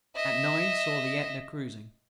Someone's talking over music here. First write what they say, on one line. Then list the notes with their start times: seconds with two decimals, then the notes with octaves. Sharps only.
At nine saw the AEtna cruising.
0.16 D#5 E5